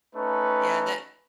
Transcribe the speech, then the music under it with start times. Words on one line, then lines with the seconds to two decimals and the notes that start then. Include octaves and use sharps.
Yeah, and that
0.15 A3 C#4 D#4 B4